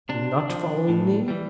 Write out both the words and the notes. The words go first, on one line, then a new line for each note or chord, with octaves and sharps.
Not following me?
C3 D4
F3
A2
E3 G3